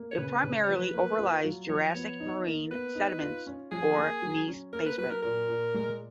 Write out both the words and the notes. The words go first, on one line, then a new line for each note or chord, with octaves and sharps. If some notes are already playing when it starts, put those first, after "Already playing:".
It primarily overlies Jurassic marine sediments or gneiss basement.
Already playing: A#3
C#5
C#3 B4
C#3
C#5
F3 B4
A#3
F4
F#3
F3 C#5
B3
D#4
A#3
B3 B4
D#4
F4
C#4
F3 G#4
A#3
F#3
C#4
A#3 A#4
B4
F#3 B4
A#4
A#2 A#4
A#2
G#3